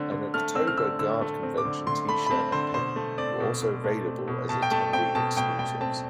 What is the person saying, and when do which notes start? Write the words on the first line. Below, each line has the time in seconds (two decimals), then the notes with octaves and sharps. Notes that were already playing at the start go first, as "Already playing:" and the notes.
An Oktober Guard Convention T-shirt and Pin were also available as attendee exclusives.
Already playing: D3 A3 C4
0.12 D3
0.34 A3 F6
0.55 C4 E6
0.67 F6
0.77 D3 E6
0.99 D3 E6
1.21 A3
1.43 C4
1.58 D6
1.65 D3
1.87 D3 C6
2.09 A3 B5
2.26 B5
2.31 C4 A5
2.52 D3 C5
2.74 B2 C5
2.96 A3
3.18 C4 D5
3.40 B2
3.62 B2
3.84 A3
4.06 C4
4.28 B2
4.49 B2 A5
4.62 G5
4.71 A3 A5
4.93 C4 G5
5.15 B2 A5
5.37 B2 G5
5.59 A3 G5
5.81 C4 A5